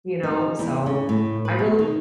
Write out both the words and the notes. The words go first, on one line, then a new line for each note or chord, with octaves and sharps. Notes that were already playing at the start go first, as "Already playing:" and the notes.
you know, so I really
D#4
E2
C#3
A2
B4
B2
D#3